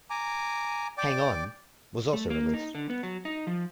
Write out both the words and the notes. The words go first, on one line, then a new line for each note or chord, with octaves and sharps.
"Hang On" was also released.
G#5 A#5 D6
D5 G5 D6
A3
A#3
D#4
D3
B3
F#3
D#4
F3